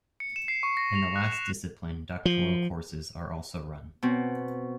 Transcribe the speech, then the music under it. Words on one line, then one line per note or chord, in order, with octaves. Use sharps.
In the last discipline doctoral courses are also run.
C#7
E7
C7
C#6
A#6
F7
F#6
E7
F3
B2 C4